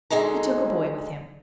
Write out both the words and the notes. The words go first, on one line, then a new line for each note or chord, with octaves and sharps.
He took a boy with him.
D2 D3 G#3 D#4 A#5